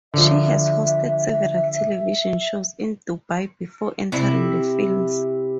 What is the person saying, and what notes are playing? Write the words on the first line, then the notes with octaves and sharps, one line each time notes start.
She has hosted several television shows in Dubai before entering the films.
D3 F3 E5
C3 E4